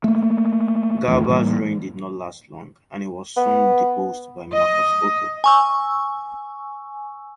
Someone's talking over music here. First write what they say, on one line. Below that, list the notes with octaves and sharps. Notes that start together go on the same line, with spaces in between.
Galba's reign did not last long and he was soon deposed by Marcus Otho.
A3 A#3
D1 E2 A3
A2 E3 G3 A#3
B3
D#5
G#5 C#6 E6